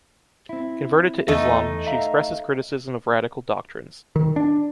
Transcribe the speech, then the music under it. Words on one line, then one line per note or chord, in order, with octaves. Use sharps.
Converted to Islam, she expresses criticism of radical doctrines.
C4 E4
E2 A3 D#4
E5 F5 A#5
D#3
D4